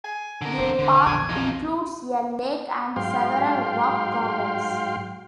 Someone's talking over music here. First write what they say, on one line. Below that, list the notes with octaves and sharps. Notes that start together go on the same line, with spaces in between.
The park includes a lake and several rock gardens.
G#5
D3 A#4
E1 D2 C4 C5
D3
A#1 E2 G#5
F3 D#4
G#2 F#3 F5 G5 C6